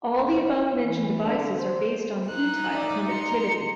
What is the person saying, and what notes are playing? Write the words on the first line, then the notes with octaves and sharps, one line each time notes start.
All the above-mentioned devices are based on p-type conductivity.
F2
F4
E3
D3
C5
D#4 F#6
D5 E5
A#5 C6 C#7